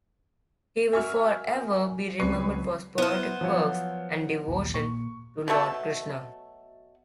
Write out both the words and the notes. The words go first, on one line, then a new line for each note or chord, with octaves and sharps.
He will forever be remembered for his poetic works and devotion to Lord Krishna.
F#4 A#4 E5 G#5 C#6 F6
C#2 F#3 G3 C4 B4 D5 C#6 C7
B3 E4 C5 F6
F3 F#3 C#5
A#1 D#2
A#2 C#6
B2 F#3 A3 A4